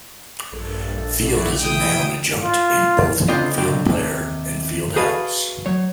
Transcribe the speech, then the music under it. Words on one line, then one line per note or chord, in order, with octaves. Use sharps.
"Field" is a noun adjunct in both "field player" and "fieldhouse".
A#1 G2 A4
E4 F#4 D5
B2 E3 E4 G5 D#6
F4
C#2 D3 C4 F4 D5 D#5
C#2 D3 F#3 C4 G5
D#2 C3
F#4 G#4 A4 B4 D#5 F5
F#3 C#5